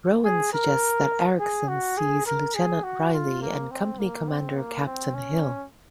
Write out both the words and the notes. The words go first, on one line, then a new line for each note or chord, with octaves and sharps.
Rowan suggests that Eriksson sees Lieutenant Reilly and Company commander Captain Hill.
G#4
A#4
G#4
F#4
G#4
A#4
G#4
F#4
F4
A#3
C4
A#3
C4
A#3
C4
C#4